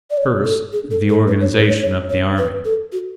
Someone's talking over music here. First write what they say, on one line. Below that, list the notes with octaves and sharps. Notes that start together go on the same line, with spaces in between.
First, the organization of the army.
D5
C#5
A4
G#4
A4
A4
B4
C#5
B4
C#5
C#5
C#5
B4
A4
F#4